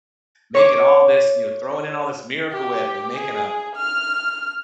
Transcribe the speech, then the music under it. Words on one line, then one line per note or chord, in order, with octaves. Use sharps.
making all this you know, throwing in all this Miracle Whip, and making a
C#5 C#6 D6
G4
G#4
F6